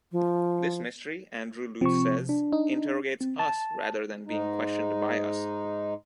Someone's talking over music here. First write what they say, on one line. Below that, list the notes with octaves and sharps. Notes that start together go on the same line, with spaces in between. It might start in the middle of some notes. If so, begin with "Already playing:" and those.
This mystery, Andrew Louth says, interrogates us rather than being questioned by us.
F3
C3 F3 C4 C#6
D4
D#4
C4
A5
G#2 G#3 D#4